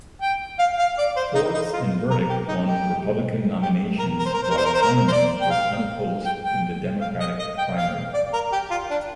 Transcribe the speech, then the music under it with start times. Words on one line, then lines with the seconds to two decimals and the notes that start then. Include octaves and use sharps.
Forbes and Burdick won Republican nominations while Hyndman was unopposed in the Democratic primary.
0.22 G5
0.59 F5
0.79 F5
0.98 D5
1.16 C5
1.35 D#4
1.54 D#4
1.73 F4
2.11 A#4
2.30 G4
2.49 D#4
2.67 G4
3.62 G4
3.99 A#4
4.19 A#4
4.26 C5
4.34 A#4
4.43 C5
4.50 A#4
4.57 C5
4.65 A#4
4.74 C5
4.82 A#4
5.08 C5
5.12 D5
5.41 G5
5.50 F5
6.25 G5
6.45 G5
7.01 F5
7.20 D#5
7.39 D#5
7.58 G5
7.77 F5
8.14 D5
8.33 A#4
8.53 G4
8.71 F4
8.91 D4